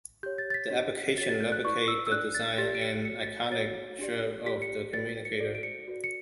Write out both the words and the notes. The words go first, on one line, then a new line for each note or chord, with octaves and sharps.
The application replicated the design and iconic chirp of the communicator.
G4 C#5 G6
A6
A6
B6
D4 G4 C#5
F#4 C#5 A6 B6
A6
G6
F#6
E4 B4 D5 C#6
E6
E6
D4 A4 D5 F#6
A6
G4 D5 A6
D7
C#7
F#4 C#5 C#7
A6
B6
F#4 C#5 A6
D4 G4 D5
G4 D5 B6
C#7
F#4 B4 D5 A6
B6
C#7
F#4 A4 D5 D7
D7
C#7
F#4 B4 D5
C#7